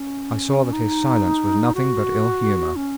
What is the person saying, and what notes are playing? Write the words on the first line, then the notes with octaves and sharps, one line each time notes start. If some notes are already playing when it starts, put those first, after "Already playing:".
I saw that his silence was nothing but ill-humour.
Already playing: C#4
D#4
F#4
C#4